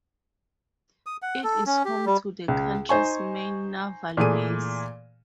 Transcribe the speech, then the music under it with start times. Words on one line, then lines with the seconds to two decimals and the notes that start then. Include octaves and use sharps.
It is home to the country's main naval base.
1.06 D#6
1.22 F#5
1.43 A4
1.66 C#4
1.85 G4
2.06 G3
2.48 C#2
2.89 D#4 C5 G#5 C#6
4.17 A#2 E3 A3 G#4 D#7